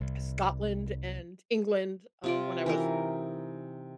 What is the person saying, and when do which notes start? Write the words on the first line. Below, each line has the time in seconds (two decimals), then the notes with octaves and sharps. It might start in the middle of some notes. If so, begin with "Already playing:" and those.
Scotland and England, um, when I was,
0.01 C2
2.24 C3 F4 D5
2.66 E3 D#4 A#4